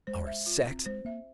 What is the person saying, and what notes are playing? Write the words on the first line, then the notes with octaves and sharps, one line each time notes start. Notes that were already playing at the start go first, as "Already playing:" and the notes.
Our sex!
G#3 C5
E5
F4
C4
G#3 C5
A#3 E5